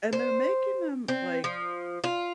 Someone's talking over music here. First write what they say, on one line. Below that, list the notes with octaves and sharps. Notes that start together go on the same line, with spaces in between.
And they're making them, like
C5
C4
F3
F4